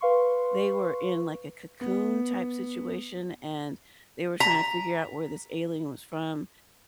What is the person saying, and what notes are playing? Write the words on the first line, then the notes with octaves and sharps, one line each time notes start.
they were in, like, a Cocoon type situation, and they were trying to figure out where this alien was from,
B4 F5 C6 C#6
B3
A#5 B6